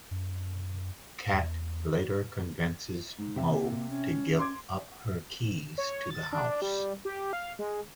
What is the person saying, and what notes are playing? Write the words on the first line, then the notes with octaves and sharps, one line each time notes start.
Kat later convinces Mo to give up her keys to the house.
F#2
E2
G#2
C3 E5
A#3
C#4
C6 D6 G#6
C#5
A6
D4
G3
G4
F5
G#3